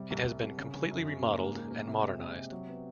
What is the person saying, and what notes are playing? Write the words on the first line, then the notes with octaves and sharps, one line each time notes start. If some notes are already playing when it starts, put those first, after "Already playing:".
It has been completely remodeled and modernized.
Already playing: C3 G3
C2
C2
C2
C#3
C#3
F#2
C#3
A#3
G#2
A#3
A#3
C3
G#3
C3
C3
F#3
B3